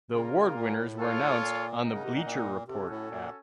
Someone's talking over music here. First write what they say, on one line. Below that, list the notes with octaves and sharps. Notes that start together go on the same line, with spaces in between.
The award winners were announced on the Bleacher Report app.
C#3 A#3 F4 A#4
C#3
A#2
A2
F4 A4 C#5 F5
A#2
D#4 A#4 D#5 F#5
C#3
C3
A#2
A#2
C3 C#4 F#4 A4
A2
A#2